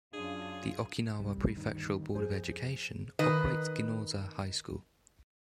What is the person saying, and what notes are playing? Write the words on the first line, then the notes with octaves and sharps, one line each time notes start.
The Okinawa Prefectural Board of Education operates Ginoza High School.
F#2 D4 F4 G#4
C2 G3
D2 G2 D#3
F2 G#4 C5
D#3 B4 D#5